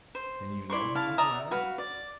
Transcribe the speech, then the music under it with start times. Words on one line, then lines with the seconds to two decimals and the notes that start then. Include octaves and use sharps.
Then you know him, Uncle Adam?
0.15 C5
0.70 E4 D5 C6 C#6
0.95 E4 F5 A5
1.18 D5 E5 A#5 D#6
1.51 F#4 B4 F5
1.78 D5